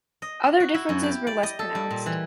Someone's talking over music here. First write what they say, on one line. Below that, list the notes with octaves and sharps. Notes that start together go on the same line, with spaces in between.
Other differences were less pronounced.
D#5
D#5
F#4
E4
F#2
G4
D5
D#5
A4
G3
A#2
E3